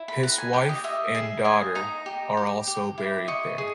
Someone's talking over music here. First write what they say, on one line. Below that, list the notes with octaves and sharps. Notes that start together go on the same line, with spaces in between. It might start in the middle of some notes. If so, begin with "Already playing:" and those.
His wife and daughter are also buried there.
Already playing: E4
B5
B4 A#5
G#5
G4 G5
D#5
D#5 E5
G#4 E5
D#5 G#5
D#4 A#5
G4
G4
G4
E4
D#5 C#6
G#4